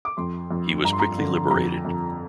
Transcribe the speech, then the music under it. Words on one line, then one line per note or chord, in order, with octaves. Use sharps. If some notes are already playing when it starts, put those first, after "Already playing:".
He was quickly liberated.
D6
F2 C6
F2
G2 A#5
C6
A#5
D3
F2 A#5
F2